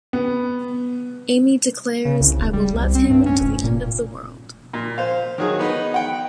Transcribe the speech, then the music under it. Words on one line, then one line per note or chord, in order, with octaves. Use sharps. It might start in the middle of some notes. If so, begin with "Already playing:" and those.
Amy declares, I will love him until the end of the world.
B3
C#3
C2
E1
G3
C2
C4
G2
C#4
F1
A#2
A#2
C5 F5
D#3 F#3 G#4
B3 D#4 B4
F#5 G5